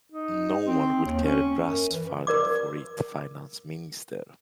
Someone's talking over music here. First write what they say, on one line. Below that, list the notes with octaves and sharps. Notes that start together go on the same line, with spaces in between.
No one will care a brass farthing for it Finance minister.
D#4
C4
D#2
C#4
F#2
E3
A#4 D5 D6